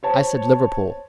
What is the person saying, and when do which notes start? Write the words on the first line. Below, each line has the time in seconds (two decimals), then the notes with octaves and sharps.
"I said Liverpool."
0.03 C5 C#5 A5